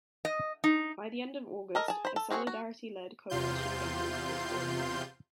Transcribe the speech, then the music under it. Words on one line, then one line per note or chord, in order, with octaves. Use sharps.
By the end of August, a Solidarity-led coalition government was formed.
D#5
D#4
A4 A#4 D#5
G#4 A5
C5 B5
A4
C4 F#4 G#4 A4 C#5
F#4
E2 C3 F4 C6 G6